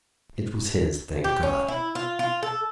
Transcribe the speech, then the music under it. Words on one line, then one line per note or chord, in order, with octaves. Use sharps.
It was his, thank God!
G4
C#4
E4
F4
F4
A4